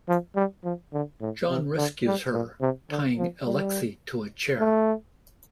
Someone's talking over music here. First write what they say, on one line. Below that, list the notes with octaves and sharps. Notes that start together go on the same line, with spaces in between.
John rescues her, tying Alexei to a chair.
F3
G3
F3
D3
A2
C3
D3
G3
A#2
C3
D3
F3
G3
A3